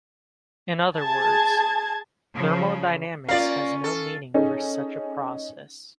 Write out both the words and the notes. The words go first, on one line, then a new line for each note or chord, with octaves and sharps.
In other words, thermodynamics has no meaning for such a process.
G#4 A5 G#6
C#3 F3
A#3 C#4 F4 D5 F5
A4
C#4 D#4 G#4 A4